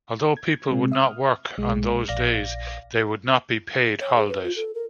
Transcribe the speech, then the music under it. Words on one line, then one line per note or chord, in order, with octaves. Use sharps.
Although people would not work on those days, they would not be "paid" holidays.
G#6
C3 G#3 C4
E5 D#6 F6
B1 G#3
A#1 D5 F5 A#6
C#5
G#4
B4
F4
A4
A#4